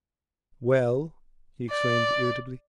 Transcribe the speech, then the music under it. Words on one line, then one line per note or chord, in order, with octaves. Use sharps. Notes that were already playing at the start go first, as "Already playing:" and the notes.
'Well?' he exclaimed irritably.
D5